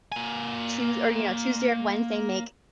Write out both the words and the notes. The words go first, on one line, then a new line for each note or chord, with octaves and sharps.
Tues or, you know, Tuesday or Wednesday make
A#3 G#5